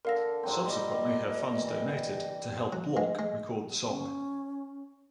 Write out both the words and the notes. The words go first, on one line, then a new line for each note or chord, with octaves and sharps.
Subsequently her fans donated to help Block record the song.
D3 A4 A#4 F5 A#6
G#2 F#3 C4
A#2 G3 D#5
E3
F#3
G#3
G#3
C#4